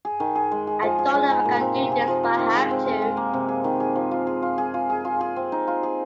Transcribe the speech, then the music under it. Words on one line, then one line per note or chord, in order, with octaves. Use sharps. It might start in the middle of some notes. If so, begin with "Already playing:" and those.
I don't know if I can do this, but I have to.
G#4
D#3
G#4
G#3
G#4
F3
G#4
G#3
D#4
A#2
C4
C3
G#4
F3
F4
D#3
G#3
C4
G#4
G#3
A#3
C3
G#4
D#3
G#4
F3
F4
G#4
F4
G#4
F4
G#4
F4
G#4
C4
D#4
F4
G#4